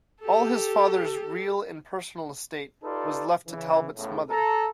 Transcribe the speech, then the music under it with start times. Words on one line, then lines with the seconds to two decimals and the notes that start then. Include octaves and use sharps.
All his father's real and personal estate was left to Talbot's mother.
0.21 G4 A4
2.84 D#4 F4 G4 A4 B4 D5
3.47 C#3 E3
3.96 E2 A2 C#3
4.30 A4 A#5